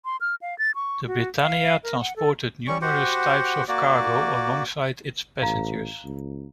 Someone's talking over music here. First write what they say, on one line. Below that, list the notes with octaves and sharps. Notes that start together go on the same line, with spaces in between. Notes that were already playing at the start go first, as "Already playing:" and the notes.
The Britannia transported numerous types of cargo alongside its passengers.
C6
F6
F5
A6
C#6
F#4
F5
A#4
F#5
A4
G3 C#4 C#6
F#4 G4 C5 F#5
A#3 F#4 D5
A1 F5 A#5
C#2